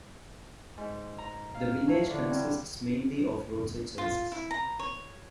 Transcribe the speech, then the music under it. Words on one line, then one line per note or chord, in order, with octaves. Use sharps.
The village consists mainly of roadside services.
G#2
A#5
F5
A2
D3
G2
F4
E4
A#5
C#5